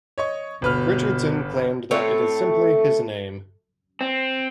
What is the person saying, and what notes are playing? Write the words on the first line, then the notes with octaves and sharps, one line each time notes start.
Richardson claimed that it is simply his name.
C#5 D#5 C#6
G1 B2 B4 F6
A2 A3 C4 C#5
C4